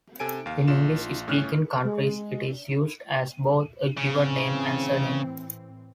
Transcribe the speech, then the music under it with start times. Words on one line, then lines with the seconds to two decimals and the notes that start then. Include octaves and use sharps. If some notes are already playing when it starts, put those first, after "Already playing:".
In English-speaking countries it is used as both a given name and surname.
0.20 C3 A4 G#5 D7
0.46 D#2 F5
0.68 A#1 F4 E7
1.27 G1 A2 C#4 F6 F#6
1.84 G#3
3.97 A2 C#3 E3 C4